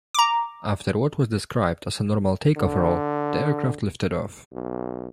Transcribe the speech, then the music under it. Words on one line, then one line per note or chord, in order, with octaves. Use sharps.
After what was described as a normal takeoff roll, the aircraft lifted off.
A#5 D6
D3
B1